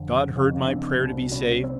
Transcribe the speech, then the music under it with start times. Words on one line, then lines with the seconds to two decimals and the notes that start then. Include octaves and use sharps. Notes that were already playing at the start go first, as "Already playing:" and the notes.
God heard my prayer to be saved.
Already playing: F2 D3
0.36 F2 C#3
0.68 C4 D4
1.00 C2 B2
1.31 B3 C#4
1.64 C4